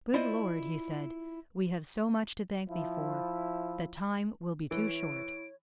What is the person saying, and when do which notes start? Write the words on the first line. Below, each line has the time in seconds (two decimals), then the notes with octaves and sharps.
'Good Lord!' he said, 'we have so much to thank Thee for, that Time will be too short.
0.14 E4 F4 C5 D5 D#5
2.68 F3 E4
4.71 E3 E4 C#5 D7